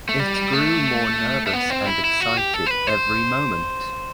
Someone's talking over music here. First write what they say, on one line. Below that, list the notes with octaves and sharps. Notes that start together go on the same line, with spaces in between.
It grew more nervous and excited every moment.
A3
G3
A3
A3
B3
C4
E4
E4
F#4
G4
A4
C5
B4
C5